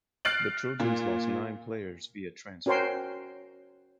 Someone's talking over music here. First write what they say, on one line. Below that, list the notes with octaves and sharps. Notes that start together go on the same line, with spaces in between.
The Trojans lost nine players via transfer.
F6 F#6 A6 C7 D7 F#7
A#2
C#4 F#4 A#4 C5 G5 C6